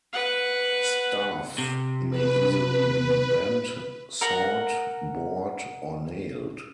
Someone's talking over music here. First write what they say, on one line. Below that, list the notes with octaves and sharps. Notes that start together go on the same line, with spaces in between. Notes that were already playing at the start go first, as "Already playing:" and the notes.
Staff may easily be bent, sawed, bored, or nailed.
B4 F#5
C3
B4
A#4 F#5 A#5